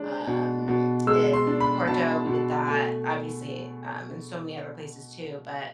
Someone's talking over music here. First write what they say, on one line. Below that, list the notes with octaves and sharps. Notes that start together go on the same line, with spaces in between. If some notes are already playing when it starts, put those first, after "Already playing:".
um, in Porto, we did that, obviously, um, in so many other places too, but
Already playing: G#3 D4
B2
B2
G#3 E6
C6
D4
B5
B2 A5
B2
A3 G#5